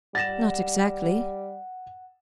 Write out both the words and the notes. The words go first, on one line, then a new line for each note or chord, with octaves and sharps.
"Not exactly."
G3 F#5 A6 A#6 E7